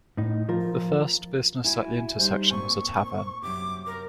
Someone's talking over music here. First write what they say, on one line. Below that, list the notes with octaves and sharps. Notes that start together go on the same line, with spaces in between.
The first business at the intersection was a tavern.
A2 D#4
F3 F4 A#4
E4 F#4 G#5
G3 D#4 C5
A#2 C4 G#5 C#6
F#2 C3 D6
A#4